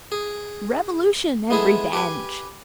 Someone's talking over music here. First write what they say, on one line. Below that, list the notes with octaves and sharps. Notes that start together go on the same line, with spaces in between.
Revolution and Revenge!
G#4
G#3 B3 E4 G#4 A4
G4 B4 G#5